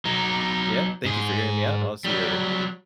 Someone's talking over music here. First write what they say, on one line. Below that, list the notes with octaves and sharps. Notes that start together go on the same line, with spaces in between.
Yeah, thank you for hearing me out, I'll see you later.
F#3 D#4
G#2 G#4
F#3 G3